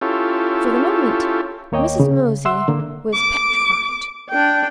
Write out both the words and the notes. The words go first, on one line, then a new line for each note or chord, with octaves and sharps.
For the moment, Mrs. Mosey was petrified.
C#4 E4 F4 G4 A4
D#2 A#3 C#5 D#5 G5
C#3
E5 F#5 C6 E6
D3 A#3
D6
D4 G5